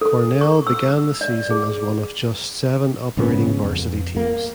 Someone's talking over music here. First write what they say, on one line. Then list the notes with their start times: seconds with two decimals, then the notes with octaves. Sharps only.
Cornell began the season as one of just seven operating varsity teams.
0.01 A4
0.41 C#6
0.67 E6
1.21 D5
1.51 G#4
3.17 G#2 C#3 F3 B3
3.64 F2
4.17 A#3